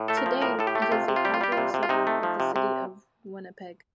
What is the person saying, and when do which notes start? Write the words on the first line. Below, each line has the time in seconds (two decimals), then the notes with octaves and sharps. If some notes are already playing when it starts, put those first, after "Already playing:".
Today, it is a popular suburb of the City of Winnipeg.
Already playing: A2
0.08 A3 A4
0.17 A#4
0.26 F3
0.42 A2 A#4
0.59 A2 A4
0.67 G4
0.75 A3
0.82 G4
0.92 C3 F4
1.08 C3
1.16 F4
1.25 G3 G4
1.34 F4
1.41 G3 G4
1.52 F4
1.57 C3
1.74 C3
1.83 F4
1.89 C3 D#4
2.07 A3
2.23 F3
2.40 C3
2.56 C3